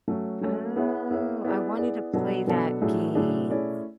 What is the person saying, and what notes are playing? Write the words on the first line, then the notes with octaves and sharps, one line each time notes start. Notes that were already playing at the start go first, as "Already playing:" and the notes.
Oh, I wanted to play that game.
F#3 A3 C#4
F#3 A3 C#4
B3 E4 G#4 C#5 E5
B3 E4 G#4 C#5 E5
B3 E4 G#4 D5
B3 E4 G#4 D5
B2 F#3 B3 D4 A4
B2 F#3 B3 D4 A4
A2 F#3 A3 D4 G#4
A2 F#3 A3 D4 G#4
A3 C#4 E4 G#4 D5